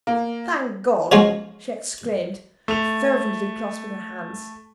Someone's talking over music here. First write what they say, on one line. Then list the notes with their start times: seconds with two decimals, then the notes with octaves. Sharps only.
"Thank God!" she exclaimed, fervently clasping her hands.
0.07 A#3
1.12 F3 F#3 G#3 C#4 F4
2.68 A3 F7